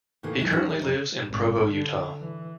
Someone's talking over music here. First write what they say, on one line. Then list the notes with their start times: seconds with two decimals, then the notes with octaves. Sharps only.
He currently lives in Provo, Utah.
0.23 A2 C#3 E3 A3 A#3
0.39 E3 F#3 G#3 E4
0.52 G3 C#4 D#4 F#4
0.70 E3 G3
0.81 F2 F#3 A#5
1.26 G#1
1.70 D3
2.20 E3